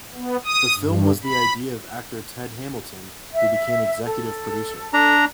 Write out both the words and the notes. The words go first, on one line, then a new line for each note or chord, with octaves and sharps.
The film was the idea of actor Ted Hamilton, who became executive producer.
B3
D#6
G2
B5
E5
A4
D4 A#5